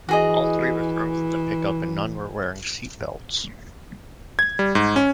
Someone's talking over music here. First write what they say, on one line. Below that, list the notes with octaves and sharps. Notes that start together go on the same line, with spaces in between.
All three were thrown from the pickup and none were wearing seatbelts.
E3 F#4 G#4 D#5
G#6
G3
G#2
C#4